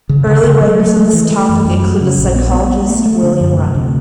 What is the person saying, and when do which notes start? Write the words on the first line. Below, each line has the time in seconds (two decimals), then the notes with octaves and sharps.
Early writers on this topic include the psychologist William Ryan.
0.09 C#3
0.27 C#3
0.44 C#3
0.61 F#3
0.80 A3
0.97 A3
1.13 E3
1.31 A3
1.49 F#2
1.65 F#2
1.83 F#3
2.01 C#3
2.18 A#1
2.36 B3
2.53 B3
2.70 B3
2.88 A3
3.06 A3
3.23 D3
3.41 F#2
3.58 C3
3.75 D2